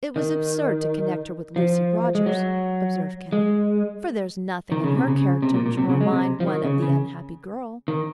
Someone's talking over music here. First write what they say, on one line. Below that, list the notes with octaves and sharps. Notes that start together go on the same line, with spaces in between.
"It was absurd to connect her with Lucy Rogers," observed Kenneth, "for there is nothing in her character to remind one of the unhappy girl."
D#3
F3
G#3
F#3
G#3
D#3
C#3
C3
C#3
C3
A#2
A#2
C3
C#3
G#3
C3
F3
D#3
C#3
C#3
D#3